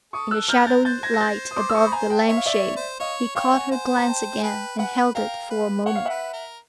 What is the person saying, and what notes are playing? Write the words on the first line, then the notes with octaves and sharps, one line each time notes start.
In the shadowy light above the lampshade he caught her glance again and held it for a moment.
A4 C#6 D#6
E6 F#6
A#4 F6 G6
G6 A6
C5 G6 A6
G#6 A#6
A#6
G6 A6
D#6
C6 D6
E6
C#6 D#6
B5
G#5 A#5
G5 A5
C#5 E5
F5
D5 E5
C#5
C5
C#5 D#5 F5
C#5 F5 G5
F#5 G#5
C5 F#5 G#5
A#5
G5 A5
G#5
B4 G5 A5
B4 F#5 G#5
A#4 F5 G5
B4
C#5 F#5
F5
B4 E5 F#5
A#4